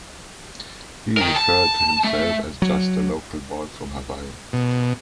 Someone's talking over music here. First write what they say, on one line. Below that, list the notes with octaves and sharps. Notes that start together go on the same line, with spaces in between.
He referred to himself as just a local boy from Hawaii.
A#4 G5
A5
A3
F#3
B2